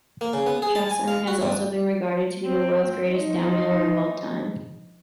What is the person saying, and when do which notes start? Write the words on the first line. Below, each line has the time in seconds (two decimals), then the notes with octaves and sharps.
Chausson has also been regarded to be the world's greatest downhiller of all time.
0.21 A#3
0.33 C#3
0.47 B3
0.62 G#4
0.75 A5
0.91 G#5
1.08 F5
1.27 F#4
1.42 G2
2.44 C4
3.07 F3 D#4